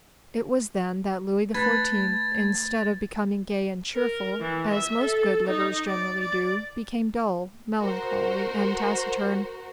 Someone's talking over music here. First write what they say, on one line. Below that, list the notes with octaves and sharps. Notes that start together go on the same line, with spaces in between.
It was then that Louis XIV., instead of becoming gay and cheerful, as most good livers generally do, became dull, melancholy, and taciturn.
A3 B4 G#6 A6
A#4
E3
E5
A4
D#4
D5
D5
F#4 A#4 C5